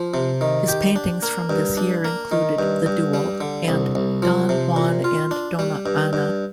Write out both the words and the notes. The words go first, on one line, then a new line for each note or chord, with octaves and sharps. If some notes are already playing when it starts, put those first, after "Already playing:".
His paintings from this year included "The Duel" and "Don Juan and Dona Anna".
Already playing: F3
C3
D#3
G4
D4
A#3
G2
D4
A#3
D#3
G2
G2
G3
D3
C2
C2
F3
C3
A#2
F4
D4
G3
G2
G2